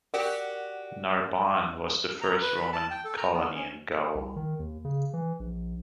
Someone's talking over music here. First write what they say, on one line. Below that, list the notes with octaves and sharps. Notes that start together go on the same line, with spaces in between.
Narbonne was the first Roman colony in Gaul.
F#4 G4 A#4 D5
A#5
B4
B5
A5
G5
A4
A#5
B3
C#4
C2
D#3
D#2
C#3
E3
A#1